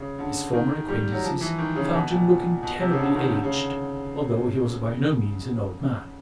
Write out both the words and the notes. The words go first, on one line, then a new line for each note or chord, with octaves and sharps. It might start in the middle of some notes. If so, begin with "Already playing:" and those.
His former acquaintances found him looking terribly aged, although he was by no means an old man.
Already playing: C#3
D3
D#3
G3
F#3
F3
E3
D#3
C#3
B2
A#2
B2
C3
C#3
D3
D#3
D3
C#3